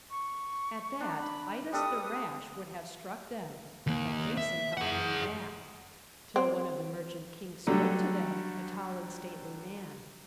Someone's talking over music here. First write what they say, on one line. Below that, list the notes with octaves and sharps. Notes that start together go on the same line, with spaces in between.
At that Idas the rash would have struck them; but Jason held him back, till one of the merchant kings spoke to them, a tall and stately man.
C#6
D4
B5
G3 D4 A4 D#6
D#2 A#3
E5
G#4 F#5
C4
D3 F#3 G3 A3